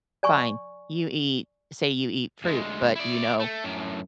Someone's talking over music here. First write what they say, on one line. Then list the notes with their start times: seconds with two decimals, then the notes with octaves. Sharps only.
fine. You eat say you eat fruit, but you know,
0.23 D5 G#5 C#6
2.44 D2 G#3
2.96 E4 D5
3.40 A3
3.64 F#2 A2